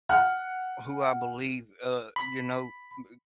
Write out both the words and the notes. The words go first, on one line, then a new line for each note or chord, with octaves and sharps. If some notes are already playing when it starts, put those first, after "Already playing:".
who I believe, uh you know, b
F#5 F6 F#6
B5